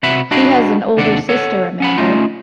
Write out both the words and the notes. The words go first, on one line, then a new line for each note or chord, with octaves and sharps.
He has an older sister Amanda.
C3 F#4 E5 F#5 B5
D4 F#4 D#5 F5 G5 B5
D#2 C3 D4 A4 D5 F#5
A4 C#5 F#5
C#4 F#5 B5
A3 C#4 D#4 F4